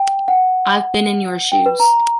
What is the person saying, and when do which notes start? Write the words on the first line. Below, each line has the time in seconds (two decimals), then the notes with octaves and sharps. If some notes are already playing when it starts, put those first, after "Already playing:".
I’ve been in your shoes.
Already playing: G5
0.28 F#5
1.52 G5
1.66 B4
1.80 A#5